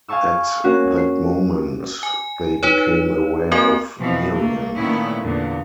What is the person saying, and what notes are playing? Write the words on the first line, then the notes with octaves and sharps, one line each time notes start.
At that moment they became aware of Miriam.
F5 G#5 A5 C#6 E6
A#3 C#4 F#4
C7
G#5
D#4 B4 C#5
A#3 C4 F#4 A#4 G#5
B2 E3 F3 C4
A3 A#3
A#2 D#3 A3 B3 C#4 E4
E2 A#2 D3